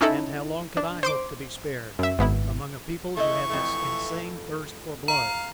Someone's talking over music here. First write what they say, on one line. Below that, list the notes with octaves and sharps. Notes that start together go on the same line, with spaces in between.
And how long could I hope to be spared among a people who had this insane thirst for blood?
C#4 D#4 E4 A4
D4
C5 C6 D6
F#2 E5
G#1 B3 E4
E3 A3 E4 D#5 C#6
F2 A2 A3
F5 A#5